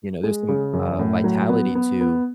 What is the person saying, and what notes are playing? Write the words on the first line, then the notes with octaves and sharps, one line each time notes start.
you know, there's some, uh, vitality to
G#3
C#3
F#2
A2
F#3
B3
B3
B3